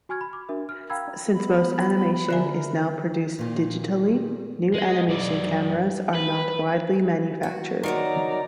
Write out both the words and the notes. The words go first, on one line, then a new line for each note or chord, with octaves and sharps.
Since most animation is now produced digitally, new animation cameras are not widely manufactured.
F#4 G#5 C#6 F6 G#6
B5
D6
D4 F#4 A#4 E5
F6
F5 G5 A#5 B5 E6 G#6
B3 B5
D3 A#4 E5 G#5
A#2 D#3
G#3
F#2 D5
B4
F#4
D#3 F3 F#3 D5 A#5